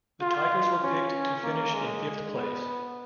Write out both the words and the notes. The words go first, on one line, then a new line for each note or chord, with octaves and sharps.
The Tigers were picked to finish in fifth place.
F4
C#4
A#3
G#3
B3